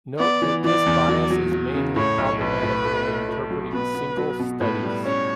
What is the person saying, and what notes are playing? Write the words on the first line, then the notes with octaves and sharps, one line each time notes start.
Note that this bias is mainly problematic when interpreting single studies.
B3 D5
E3
E3 D5
E2
F#3
F#3
F#3
C#3
A2 C#5
B1
B1 B4
A2
A3
A3
A3
F#3
B2 B4
B3
F#3
B2
A2 B4
G3
C#4 C#5